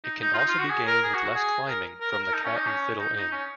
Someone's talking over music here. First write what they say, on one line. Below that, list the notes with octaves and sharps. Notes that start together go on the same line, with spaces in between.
It can also be gained with less climbing from the Cat and Fiddle Inn.
D#4
D#4
F4
D#4
F4
F#4
G#4
A#4
G#4
F#4
F#4
G#4
A#4
A#4
A#4
A#4
D#4
C#4
D#4
C#4
D#4
D#4
C#4